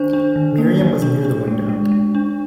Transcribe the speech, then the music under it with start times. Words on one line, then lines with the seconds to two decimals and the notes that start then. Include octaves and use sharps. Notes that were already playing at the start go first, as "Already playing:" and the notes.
Miriam was near the window.
Already playing: D#3 D4 C5
0.13 D4
0.36 D#3
0.58 A#3
0.81 D#3
1.02 D4
1.25 D4
1.48 G#3
1.69 G#3
1.92 G#3
2.15 D4